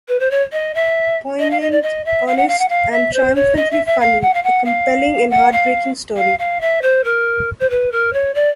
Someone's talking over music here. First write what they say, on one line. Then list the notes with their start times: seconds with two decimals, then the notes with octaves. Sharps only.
Poignant, honest and triumphantly funny... A compelling and heartbreaking story.
0.08 B4
0.20 C5
0.31 C#5
0.52 D#5
0.75 E5
1.39 D#5
1.51 F5
1.61 D#5
1.71 D5
1.82 D#5
2.05 E5
2.27 F5
2.37 F#5
2.48 F5
2.59 F#5
2.69 F5
2.91 E5
3.13 C5
3.35 C#5
3.56 D#5
3.71 E5
3.86 E5
4.00 F5
4.21 F#5
4.34 F5
4.43 F#5
4.65 F5
5.30 F#5
5.52 F5
6.17 F5
6.39 F5
6.61 E5
6.82 C5
7.04 A#4
7.60 C5
7.70 B4
7.92 A#4
8.13 C#5
8.34 D5